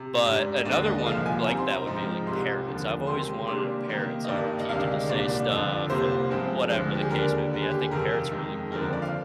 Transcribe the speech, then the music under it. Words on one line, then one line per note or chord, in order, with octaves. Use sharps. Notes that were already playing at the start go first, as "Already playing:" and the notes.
but another one w like that, would be, like, parrots. I've always wanted a parrot so I can teach it to say stuff, and whatever the case may be, I think parrots are really cool,
Already playing: C3
G#2 G3 D4
D#2 D3 G#3 D5
D#5
C2 A#2 F3 F5
G#5
C3 G3 C4 D#4 A#5
C6
A#5
G#2 F3 G#3 C4 D#4
C2 C3 G3 C6
D#2 D3 F3
C3 D#3 G#3 C6
C3 G3 A#3 D4 C6
C3 D#3 A#3 D#4
D#5
G2 D#3 G3 A#3 D#4 D5
D#5
D2 C3 D#3 G#3 D4 F5
C2 A#2 G3 D4 D5
F2 D3 F3
C2 C3 G3 A#3 C5
G2 F3 G#3 C4
D2 D3 F3 G#3
G4
G#4
D#2 D3 G3 D4 A#4
D#2 D3 G3
G#4
G4
G#4
F2 C3 D#3 A#4
F2 D#3 G#3 D#4
D#2 D3 F3 C4 A#4
A#4
D5
F5